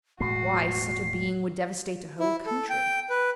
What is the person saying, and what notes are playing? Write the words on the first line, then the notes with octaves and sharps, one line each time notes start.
Why, such a being would devastate a whole country.
E1 A2 G#3 F#4 C7
E4
A4
G5
B4